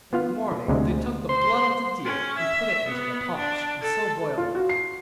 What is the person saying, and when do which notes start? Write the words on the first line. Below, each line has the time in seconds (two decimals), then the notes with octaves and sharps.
In the morning they took the blood of the deer, and put it into the paunch, and so boiled it.
0.13 B3 F4 F5
0.68 D2 C3 G#3
1.29 C5 C6
2.05 C#4
2.38 E5
2.88 B3
3.37 D4
3.81 A4
4.38 F4
4.55 F#4
4.69 C7